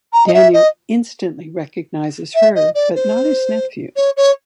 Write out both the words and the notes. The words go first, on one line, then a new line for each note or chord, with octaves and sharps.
Daniel instantly recognizes her, but not his nephew.
A#5
D#5
E5
D#5
E5
D#5
D5
C5
C#5
C#5